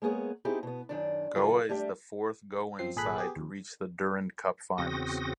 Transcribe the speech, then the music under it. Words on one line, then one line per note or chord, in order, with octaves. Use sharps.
Goa is the fourth Goan side to reach the Durand Cup finals.
G#3 A#3 B3 G#4 C#5
B3 C4 D#4 E4 G4 G#4
B2 B3
F#2 D#3 D4
C#3 F#3 F4 A4 A#4
G3 A3 D4 G4 E5
F#2 F3 C4 C7
G#1 A#2 G#4 A4 B5 F#6
B3 G4 G#4
D#2
E2 C#3 C4 F#4 D#6 A#6